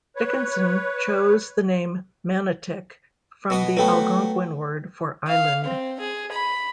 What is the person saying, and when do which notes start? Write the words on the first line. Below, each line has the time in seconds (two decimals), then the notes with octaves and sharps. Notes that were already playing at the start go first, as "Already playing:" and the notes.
Dickinson chose the name 'Manotick' from the Algonquin word for 'island'.
0.16 B4 C#5
3.50 B2 B3 D#6
3.77 F#3 A3 B3 B4 G5
5.28 F5
5.64 C4
6.00 G#4
6.32 B5